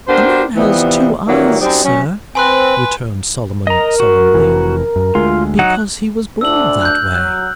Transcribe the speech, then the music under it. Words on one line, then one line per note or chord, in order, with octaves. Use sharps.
"A man has two eyes, sir," returned Solomon, solemnly, "because he was born that way."
B3 D4 G4 A#4 C5
C3 E3 F3 G3 B3
A#2 D#3 E3 F#3 G3 A#3
F#2 F#3 C4 D4 D#4 G4
F#3 C#4
C4 B4 G#5 C6 F#6
A#4 D#5 A#5
F#4
F1 F2 E3
F#2
D2 G#3 F4
F#3 D#4 F#5 F#6
D2 D4 E6 F#7
F#6 G6
F#3 F#6